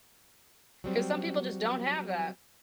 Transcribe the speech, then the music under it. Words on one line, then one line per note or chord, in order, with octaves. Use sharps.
'cause some people, just, don't have that.
F#3 G3 C4